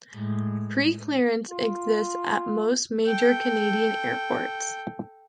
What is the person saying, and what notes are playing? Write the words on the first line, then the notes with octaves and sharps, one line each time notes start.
Preclearance exists at most major Canadian airports.
A2 G#3
F4
A4 G5